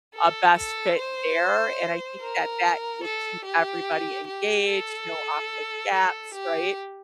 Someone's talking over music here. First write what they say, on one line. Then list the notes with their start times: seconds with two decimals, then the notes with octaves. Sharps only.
a best fit there, and I think that that will keep everybody engaged, no awkward gaps, right?
0.15 A4
0.56 A4
0.98 C5
2.21 A#4
3.03 A4
3.45 G4
4.27 G4
4.69 A4
5.93 A4
6.34 G4